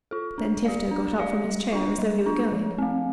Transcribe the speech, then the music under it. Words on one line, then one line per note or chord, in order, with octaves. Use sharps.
Then Tifto got up from his chair, as though he were going.
F4 A4
D4
G4 D5 F5
D4
G4 D5 F5
G3
D4 F4
G3
D4 F4
F3
A3 C4